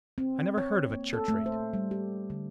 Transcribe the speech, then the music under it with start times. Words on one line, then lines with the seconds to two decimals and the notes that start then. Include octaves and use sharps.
"I never heard of a church-rate."
0.18 C4
0.58 C#5
0.90 A#3
1.13 A4
1.28 A3
1.46 C5
1.74 G3
1.91 G4
2.30 D3